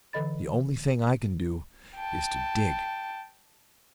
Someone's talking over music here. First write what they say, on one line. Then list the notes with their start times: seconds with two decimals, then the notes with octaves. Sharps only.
The only thing I can do is to dig.'
0.13 D3 E3 A4 D#5 B5 A6
1.96 G5 A5